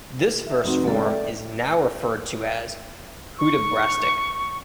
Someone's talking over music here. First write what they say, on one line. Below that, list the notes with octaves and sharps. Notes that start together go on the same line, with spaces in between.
This verse form is now referred to as "Hudibrastic".
E5
F1 C4 D#4 F#4 B4
C#2 A4 D5
E5 G5
C#6